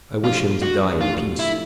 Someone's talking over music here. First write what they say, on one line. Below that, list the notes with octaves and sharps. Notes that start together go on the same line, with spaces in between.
"I wish him to die in peace."
F3 A3 D4 F4 G4
F#4
F3 A3 D4 F4 G4
E4